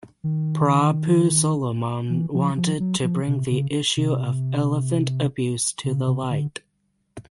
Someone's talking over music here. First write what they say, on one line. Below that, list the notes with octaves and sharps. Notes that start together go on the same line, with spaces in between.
Prabhu Solomon wanted to bring the issue of elephant abuse to the light.
D#3
E3
F3
F3
F#3
F3
C3
C#3
C3
C#3
C3
D3